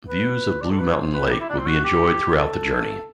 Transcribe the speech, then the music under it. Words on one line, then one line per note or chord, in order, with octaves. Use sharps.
Views of Blue Mountain Lake will be enjoyed throughout the journey.
B4
D5
A4
B4
C5
B4
G4
E4
D4
C4
F#4
G4
A4